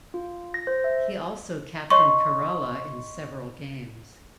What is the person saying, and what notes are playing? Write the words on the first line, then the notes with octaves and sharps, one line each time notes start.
He also captained Kerala in several games.
F4
A#6
C5
E5
C#5 D#5 C6 C#6